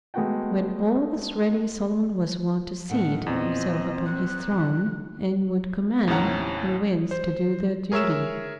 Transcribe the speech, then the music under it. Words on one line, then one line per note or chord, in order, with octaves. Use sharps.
When all was ready Solomon was wont to seat himself upon his throne, and would command the winds to do their duty.
G#3 A3 B3 F#4 F#5 G5
A2 D#3 A3 F#5
E2 A#2 C4 D#5
F#6
C3
D#2 A2 C3 C#4 F#5 A#5
C5
G#4 A#4 C#5 E5 E6 E7